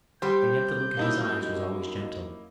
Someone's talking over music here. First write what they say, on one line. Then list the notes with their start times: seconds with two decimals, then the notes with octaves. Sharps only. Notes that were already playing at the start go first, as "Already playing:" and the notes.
And yet the look in his eyes was always gentle.
0.22 G3 G4 C5 G6
0.97 F#2 A#3 D#4 E4